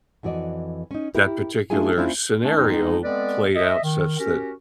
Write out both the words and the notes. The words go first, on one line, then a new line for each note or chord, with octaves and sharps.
that particular scenario played out such that
F2 E3 F#4 D5 D#5
C#4 D#4
E4 G4 A#4
A3 D4 E4 F4 G#4 G#5
A#3 C#4 D4 E4 F4 C5
A3 A#3 C#4 D4
F2 E3 G#3 B3 D#4
G#3 B3 C4 A4 B4 D5
D#5 E5
D#3
C#4 F#4 G4 A#4